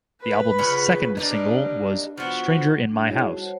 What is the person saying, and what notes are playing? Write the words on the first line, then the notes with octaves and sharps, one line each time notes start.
The album's second single was "Stranger in My House".
B4 B5
C#3 F4 F#5
G3 A#3 D4 D#4
F3 B3 F#4
G3 D4
D#4 E4 F#4 G#4 C#5 D#5
G3 F#4 A5
A#4 C5 C#5 F#5